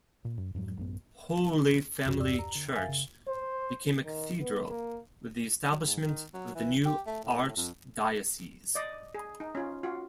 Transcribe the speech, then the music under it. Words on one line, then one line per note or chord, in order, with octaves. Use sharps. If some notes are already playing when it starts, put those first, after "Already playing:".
Holy Family church became a cathedral with the establishment of the new archdiocese.
A#2
F#2
F2 G#2 F#3
A1 F#2 B3
C#2 G2 C3 F3 F#4
E2 G2 G4 D5 E6
A#5
D3
F#2 A#4 E5 F5 G#5 A6
C#3
C5
D#3
B3
A#3
F#3
G#2
D#3
F#3
E3
G4
A3
A2
F2
D5 D#5
G#4
D#4
C#4 F4
F4 F#4